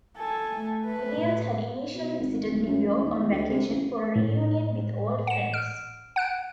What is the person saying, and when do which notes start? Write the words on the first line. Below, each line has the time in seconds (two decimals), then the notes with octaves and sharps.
Williams had initially visited New York on vacation for a reunion with old friends.
0.17 A4 G#5
0.51 A3
0.85 B4
1.17 A2
1.94 B2
2.19 G#1
2.46 D1
2.66 F#2
2.83 A1
3.03 D#2
3.18 E2
3.32 D2
3.50 C3
3.69 A1
4.16 A2
5.27 F#5 E7
5.54 F6 D7
6.16 F#5 F#6 D7